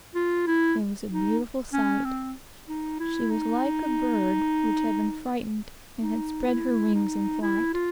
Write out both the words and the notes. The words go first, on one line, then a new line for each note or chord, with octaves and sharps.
It was a beautiful sight. She was like a bird which had been frightened and had spread her wings in flight.
F4
E4
D#4
C#4
C4
D#4
E4
D#4
D#4
E4
D#4
E4
F4